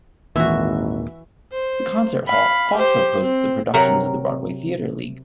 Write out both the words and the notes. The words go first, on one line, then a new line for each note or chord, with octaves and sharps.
The concert hall also hosts the productions of the Broadway Theater League.
G#1 D#2 A#2 E3 F#4 E5
C5
F5 B5
G4 C5
C4
C3 F#3 A#4 F#5 A#5